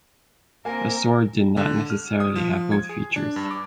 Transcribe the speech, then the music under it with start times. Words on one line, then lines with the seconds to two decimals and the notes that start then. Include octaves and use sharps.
A sword did not necessarily have both features.
0.65 A#3 C4 A#4 G#5
1.57 D3
1.90 F6
2.20 D#6
2.36 F3
2.72 G#6
2.89 G#4
3.16 D4
3.36 G2
3.51 D6